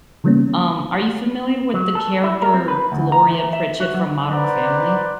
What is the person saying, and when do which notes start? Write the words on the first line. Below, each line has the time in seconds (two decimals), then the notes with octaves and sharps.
Um, are you familiar with the character Gloria Pritchett from Modern Family?
0.24 C#3 E3 G3 A#3 B3 C#4
1.74 F#3
1.95 A4
2.24 E4
2.42 A#4
2.54 C4
2.68 B4
2.92 D2
3.12 A#5
3.28 E3
3.53 E5
3.80 F#4
3.94 F#3
4.31 B4 C5 D5 F#5 A#5